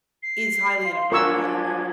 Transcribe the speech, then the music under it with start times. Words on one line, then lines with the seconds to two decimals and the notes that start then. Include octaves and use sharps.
is highly inappropriate.
0.23 C7
0.83 F5 C6
1.12 F3 F#3 D4 A#4 G#5 C#6 E6 G#6